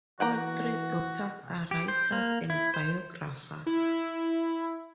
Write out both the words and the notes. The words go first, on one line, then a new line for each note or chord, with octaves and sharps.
All three daughters are writers and biographers.
E3 F#4 F#5 G5 A#5
G4
C5
A#3
E4
C5
E4